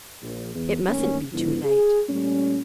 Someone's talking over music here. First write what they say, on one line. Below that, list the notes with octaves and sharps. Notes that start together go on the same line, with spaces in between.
It mustn't be too late!
A#1
E2
E2 G2 D#3 A3 A#3 C#4
G#2 D3 F3 B3 E4
G#4
A#2 G3 A3 C#4